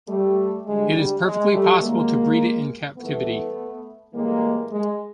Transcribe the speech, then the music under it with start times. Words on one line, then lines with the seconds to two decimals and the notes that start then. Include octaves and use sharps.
It is perfectly possible to breed it in captivity.
0.09 G3 A3
0.67 D2 D3 G3 G#3
0.95 G3
1.25 G#3
1.53 G3 A3
1.82 D#2 D#3 F#3 G#3 A#3
2.98 A2 E3 G3 A3 B3
4.13 A2 E3 G3 G#3 A#3
4.72 G#3